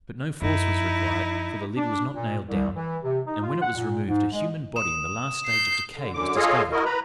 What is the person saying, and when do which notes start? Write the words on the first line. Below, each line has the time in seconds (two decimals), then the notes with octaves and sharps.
But no force was required, for the lid was not nailed down; and when it was removed, a human body in the last stage of decay was discovered.
0.42 F#2 F3 D#4 E4
1.77 D4
2.15 A#2
2.49 C2
2.76 E3
3.02 C3
3.27 D#4
3.43 F4
3.62 F#5
3.75 A#2
4.08 G#2
4.32 G#3
4.76 D#6 E7
5.46 G6 C7
5.94 D3
6.14 F#2 D3 D6
6.36 F4 G#4 A4 C#5 D#5 F5
6.72 E4 F#4 A#4 D#5
6.85 B4 A#5 B5